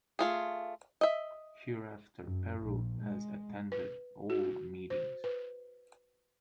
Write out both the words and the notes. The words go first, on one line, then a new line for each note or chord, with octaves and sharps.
Hereafter Peru has attended all meetings.
A3 F4 G#4
D#5 E5
F#2
A#1
G#3
B4
F#4
C5
B4